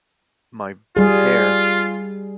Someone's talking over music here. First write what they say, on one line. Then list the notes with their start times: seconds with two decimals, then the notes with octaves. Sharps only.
my hair,
0.97 G3 F4 G#4